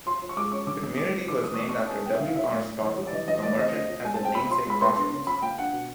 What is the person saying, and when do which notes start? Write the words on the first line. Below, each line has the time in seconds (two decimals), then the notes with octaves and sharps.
The community was named after W. R. Stotler, a merchant at the namesake crossroads.
0.06 F3 C6
0.22 F3
0.29 C#6
0.36 G#3 D6
0.52 C#4 C#6
0.67 D#3 D6
0.82 D#3 D#6
0.98 G#3 D6
1.14 C4
1.28 E3 D6
1.44 E3 D#6
1.54 C#6
1.59 A3 D6
1.69 C#6
1.75 C#4 D6
1.86 A5
1.90 B3 G#5
2.05 C3 G5
2.14 E5
2.20 D#3 F5
2.35 F#3 E5
2.52 A2
2.67 A2
2.82 E3 C#5
2.98 G3
3.07 D5
3.13 E3 D#5
3.28 E3 D#5
3.43 A3 D5
3.58 C4 D#5
3.73 F3
3.90 F3
4.05 G#3 G#5
4.14 A5
4.20 C4 G5
4.35 F3 B5
4.51 F3 C6
4.66 G#3 B5
4.81 B3 C6
4.96 D4 C6
5.12 C#3
5.27 F3 B5
5.42 A#3 G5
5.58 D4 F#5
5.73 B2